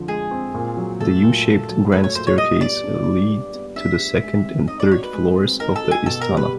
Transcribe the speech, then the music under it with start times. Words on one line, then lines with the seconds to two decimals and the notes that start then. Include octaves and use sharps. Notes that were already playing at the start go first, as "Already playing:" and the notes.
The U-shaped Grand Staircase leads to the second and third floors of the Istana.
Already playing: D3 F3 C4
0.08 G#3 G#4
0.31 C4
0.54 A#2
0.77 F#3
1.01 A3 A4
1.23 A#2
1.46 A#2
1.70 F#3
1.92 A3 B4
2.04 C#5
2.15 A#2 C5
2.27 C#5
2.38 G3 D#5
2.61 B3 D5
2.84 D4
3.08 G4
3.30 G3
3.54 B3
3.76 D4 E5
3.99 G4
4.23 G#3
4.45 C4
4.68 D#4 D#5
4.80 D5
4.91 F#4 C#5
5.03 B4
5.14 G#3
5.38 C4
5.60 D#4 A#4
5.76 A4
5.84 F#4
5.91 G#4
6.06 B2 A4
6.21 A#4
6.29 G3
6.37 B4